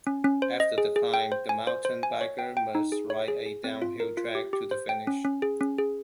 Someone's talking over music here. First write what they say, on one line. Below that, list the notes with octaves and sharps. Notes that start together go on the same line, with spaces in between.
After the climb, the mountain biker must ride a downhill track to the finish.
C#4
C#4
C5
D#5
G#4
G#4
G5
C5
G#5
C5
C5
G#5
C#5
G5
G5
D#4
G#4
C#5
G#4
G#4
C4
F4
A#4
F4
G4
G4
C5
G5
C#4
C#4
G#4
C#4
G#4